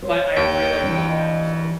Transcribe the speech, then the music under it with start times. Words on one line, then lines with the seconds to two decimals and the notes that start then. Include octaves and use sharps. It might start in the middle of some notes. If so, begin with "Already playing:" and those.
But, I really, really want to.
0.03 C5 C#5
0.37 D#2 G5
0.84 E3 D4
1.09 D#5